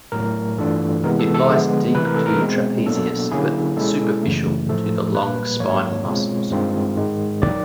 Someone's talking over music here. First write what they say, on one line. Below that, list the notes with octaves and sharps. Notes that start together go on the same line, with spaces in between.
It lies deep to trapezius but superficial to the long spinal muscles.
A2 F#3 A3 A#4
G2 E3 A3 D4 F4 A4
C3 E3 G#3 B3 A#4
A4
A4
D3 F3 G#3 B3
C3 E3 A3 B4
A#4
A4
A#4
B2 G#3 C4
B2 F#3 A#3 D4 A4
D3 F#3 A#3 C#4 E4 G#4
B2 G#3 C#4 E4 A4
F#2 C#3 E3 A3
A2 F3 A3 A4
A#2 G3 A#3 B4
G#2 D#3 F#3 A#3 C#5
B2 G#3 C4 F4
G2 D#3 G#3 C4 F4
G#2 D#3 G#3
D#3 F#3 D5